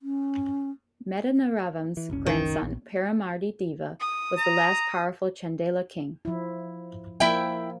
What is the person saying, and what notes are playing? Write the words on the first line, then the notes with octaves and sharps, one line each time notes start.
Madanavarman's grandson Paramardi-deva was the last powerful Chandela king.
C#4
E3
F#1 C2 C#4
D#3
A#1
D#6
A#5
F3 E4
F3 A#3 E4 E5 G5